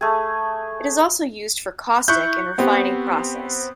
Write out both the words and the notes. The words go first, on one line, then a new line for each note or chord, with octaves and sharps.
It is also used for caustic in refining process.
A3 G#4
E4 C#6 F#6 G6
B3 C4 G4